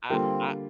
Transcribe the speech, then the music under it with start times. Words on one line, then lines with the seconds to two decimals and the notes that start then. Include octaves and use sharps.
I I
0.09 D3 G3 A#3 C4 F4